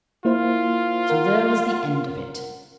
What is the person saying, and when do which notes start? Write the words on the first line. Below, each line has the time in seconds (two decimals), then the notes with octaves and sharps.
So there was the end of it.'
0.25 A#3 E4 F4 C5
1.10 A#4 F#5